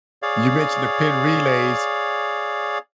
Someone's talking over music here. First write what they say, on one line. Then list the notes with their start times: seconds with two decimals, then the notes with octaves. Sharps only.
You mentioned the pin relays.
0.22 G#4 C#5 D5 F5